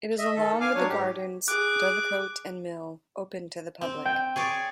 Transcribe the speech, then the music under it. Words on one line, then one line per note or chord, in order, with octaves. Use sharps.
It is along with the gardens, dovecote and mill open to the public.
D#5 E5
D#3 A4
F5 G#5 D6 F6
F#3 D4 C#5
G#2 G4
G#4 D6 F#6
C4
G5
G#4 C#5 D5